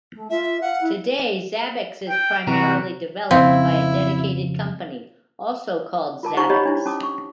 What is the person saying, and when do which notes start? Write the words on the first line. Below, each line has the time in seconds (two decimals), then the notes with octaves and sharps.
Today, Zabbix is primarily developed by a dedicated company, also called Zabbix.
0.14 A3
0.30 F4 E5
0.61 F5 F#5
0.80 E4
2.09 G5
2.47 C3 E3 F#4 A#4
3.31 F2 C#3 C4 E4 F5
6.23 F4 A#4 A5 D6
6.37 D#4 G4 C5 F#5 A#5 C#6
6.50 G4 C#5 D#5 B5
6.65 D4 E4
6.86 C#4 A5 D6 D#6
7.03 C#6